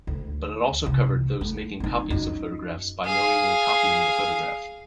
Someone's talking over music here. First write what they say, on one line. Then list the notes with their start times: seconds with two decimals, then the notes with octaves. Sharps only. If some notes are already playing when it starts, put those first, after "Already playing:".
But it also covered those making copies of photographs by knowingly copying the photograph.
0.07 D2
0.86 C2
1.41 A3
1.80 C4 D#4
2.10 F#2 D#4
3.05 G#4 F5